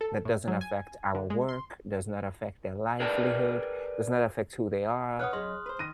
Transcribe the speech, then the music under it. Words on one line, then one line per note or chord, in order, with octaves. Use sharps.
that doesn't affect our work, does not affect their livelihood, does not affect who they are
A4
A2
F#3
G#5
D3
G#3
C6
G#4 A#4 B4 D5 G5 A5
B4 C#5 F#5 D#6 F6 F#6
F#2 G#4 C#5 D#5 C6
B4 C5
D#3 A#6 D#7